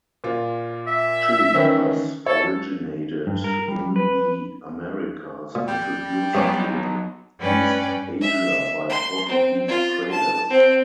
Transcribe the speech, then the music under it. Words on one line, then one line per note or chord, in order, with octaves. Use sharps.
Chili peppers originated in the Americas, introduced to East Asia by Portuguese traders.
A#2 F4
E5
D#3 E3 C#4
A4 C#5
G2
A#4
G3
B4
A#2
G3 G5
G2 B2 F#3 C#4 D6
G2 C#4 B4 D5 G5
E5
C6
C4
F4
A5
C4